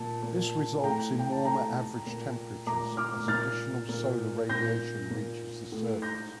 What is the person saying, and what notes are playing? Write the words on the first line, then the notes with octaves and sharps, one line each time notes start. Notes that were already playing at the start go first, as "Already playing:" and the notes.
This results in warmer average temperatures, as additional solar radiation reaches the surface.
Already playing: A#2 A5
A#2
A2 G5 A#5
G5
A5
A2 G5 A#5
A#2
A#2 A#5 D6
D6 F6
A#2 F6 A6
A#2
A#2 G6 A#6
A#2
A2
G6 A#6